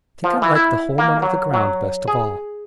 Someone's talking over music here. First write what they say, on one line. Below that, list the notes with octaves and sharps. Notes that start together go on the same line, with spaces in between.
"I think I liked the home under the ground best of all."
F3
E3
E4
A#3
F#3
F#3
G#4